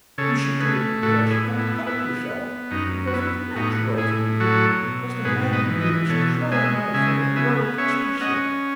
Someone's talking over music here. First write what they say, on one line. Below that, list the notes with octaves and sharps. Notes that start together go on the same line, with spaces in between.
You should do it because you can't help yourself, because it's natural to you, because the man in you is crying out for heroic expression.
C#3 A4 C#5
A3 G#4 B4
A2 F#4 A4
E4 G#4
B3
E4
B3 E4
B3
F#2 D#4
F#4
B3 E4
A2 D#4 F#4
A2 E4 G#4
F#3 F#4 A4
B2
G#2 G#4 B4
B4 D#5
E3
B4 D#5
B2 A4 C#5
G#3 E5 G#5
C#3 E5 G#5
B3 E5 G#5
C#4 C#5 E5
C#4 D#5 F#5